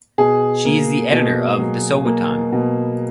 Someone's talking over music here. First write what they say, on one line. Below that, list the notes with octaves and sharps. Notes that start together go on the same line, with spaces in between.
She is editor of "The Sowetan".
B2 G#4
A#3
B2
F#3
A#3
B2